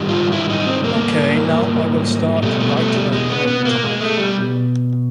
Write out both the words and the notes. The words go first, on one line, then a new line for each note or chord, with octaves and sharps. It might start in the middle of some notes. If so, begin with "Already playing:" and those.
Okay now I will start write about the main topic.
Already playing: G#2 D#3 G3
F4
E4
D#4
C4
A#3
B2 G3 A3
A3
A3
G3
G#3
B3
B3
A#3
G#3
A3
G3